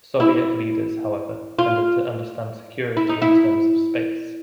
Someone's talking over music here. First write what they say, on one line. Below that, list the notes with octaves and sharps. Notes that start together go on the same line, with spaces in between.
Soviet leaders, however, tended to understand security in terms of space.
E4
F4
E4
D#4
E4